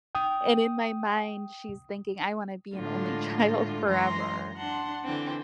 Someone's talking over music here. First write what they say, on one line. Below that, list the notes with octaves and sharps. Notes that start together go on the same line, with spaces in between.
and in my mind, she's thinking, "I wanna be an only child forever."
G5 D#6
A2 D3 G#3 A3 F4
F#2 E3 G#3 A#5 C6 A#6
D4 F#5 A5 C6
D3 E3 C4 D4